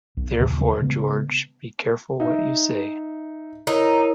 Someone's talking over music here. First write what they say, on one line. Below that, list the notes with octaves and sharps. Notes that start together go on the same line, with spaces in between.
Therefore, George, be careful what you say.
B1
D#2 A#2 C#3 E3
C#3 G#3 B3
D#4 E5
D#4 E4 A#4 C#5